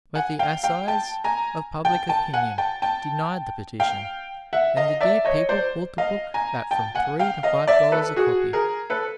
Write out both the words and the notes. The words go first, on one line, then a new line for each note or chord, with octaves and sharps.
But the Assize of Public Opinion denied the petition, and the dear people bought the book at from three to five dollars a copy.
F#5 G#5
F5 G5
F5 G5
G5 A5
G#5 A#5
G5 A5
G5 A5
F#5 G#5
G5 A5
G5 A5
F5 G5
E5 F#5
D#5 F5
D5 E5
C#5 D#5
C5 D5
D#5 F5
G#5 A#5
G5 A5
F#5 G#5
F5 G5
D#5 F5
D5 E5
A4 B4
F#4 G#4
G#4 A#4
A4 B4